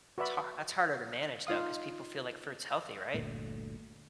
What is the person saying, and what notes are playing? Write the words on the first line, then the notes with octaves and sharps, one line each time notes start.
It's har that's harder to manage, though, 'cause people feel like fruit's healthy, right?
F#4 B4 D5 E5 B5
D#4 F4 F5 D#6
G1 D2 A#2 A3